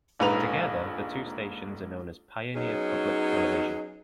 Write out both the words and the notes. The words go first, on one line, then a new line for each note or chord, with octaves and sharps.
Together, the two stations are known as Pioneer Public Television.
D#1 A#1 G#2 B4 A#5 F7
F#3 B3 C#4 D#4 G#4